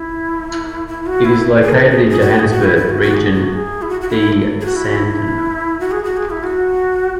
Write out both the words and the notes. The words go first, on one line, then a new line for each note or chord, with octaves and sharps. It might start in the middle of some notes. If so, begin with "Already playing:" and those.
It is located in Johannesburg, Region E, Sandton.
Already playing: E4
E4
F#4
E4
G#4
B4
G#4
G#4
F#4
G#4
F#4
E4
E4
F#4
F#4
G#4
F#4
G#4
E4
F#4
F#4
E4
G#4
F#4
E4
F#4
E4
F#4
G#4
F#4
G#4
E4
F#4